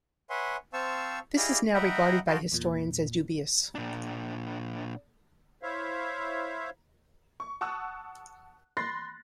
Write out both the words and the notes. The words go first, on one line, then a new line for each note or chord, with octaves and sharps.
This is now regarded by historians as dubious.
B4 C#5 E5 F#5 G#5 C6
C4 C5 F5 A5 C#6 E6
E4 G4 G#4 D5 D#5 F5
D#5 E5 F#5 G5 A#5 B5
F#4 D#5 F5 G5 A5 C6
E2 A#2
A#2 D4
E4 C5 C#5 E5 F5
C#6
F#5 A5 C#6 D#6 E6 F#6
B5 C6 F#6 A6 A#6 C7